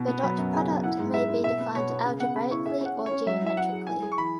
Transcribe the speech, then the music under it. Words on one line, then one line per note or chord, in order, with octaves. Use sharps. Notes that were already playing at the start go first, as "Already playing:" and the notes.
The dot product may be defined algebraically or geometrically.
Already playing: B2
B3
F#3 B5
F#2
C#3 G#5
F#2
E4 F#5
G#2
G#3 E5
E4
B2 E5
B3
B2 C#5
B3
C#3
B3 F#5
C#3 B5
E4 C#6
G#4 E5
C#4 F#5
C#4
C#5
C#4
F#3 E5
E4 E5
E4 F#5
G#4
E4 G#5
G#4
C#6
E3 B5